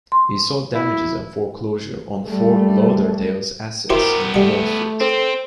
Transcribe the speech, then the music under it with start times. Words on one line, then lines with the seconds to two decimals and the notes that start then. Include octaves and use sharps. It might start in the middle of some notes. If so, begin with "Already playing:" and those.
He sought damages and foreclosure on Fort Lauderdale's assets in the lawsuit.
0.12 C6
0.74 E4
2.28 G3 A3
3.90 B3 E4 F#4 G4 A#4 C5
4.34 G3 A3 F#5
5.01 C4 A4 C5